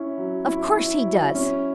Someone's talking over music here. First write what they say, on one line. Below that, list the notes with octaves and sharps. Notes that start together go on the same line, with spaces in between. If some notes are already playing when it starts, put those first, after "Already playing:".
Of course he does.
Already playing: C#4 E4
F#3
E4
E4
F#3
C#4